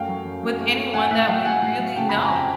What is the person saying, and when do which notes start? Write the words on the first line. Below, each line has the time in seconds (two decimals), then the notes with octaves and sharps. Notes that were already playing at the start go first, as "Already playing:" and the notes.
with anyone that we really know.
Already playing: F#2 A3 F5 G5
0.08 F#3
0.25 F#2
0.43 F#2
0.59 A3
0.77 A3
0.93 A2 F#5 G#5
1.11 A2 E5 F#5
1.28 F#3 F5 G5
1.45 A2 F#5 G#5
1.62 A2
1.79 F#3
1.96 C#3 G5 A5
2.09 F2 A5 B5
2.22 G#5 A#5
2.31 F2 G5 A5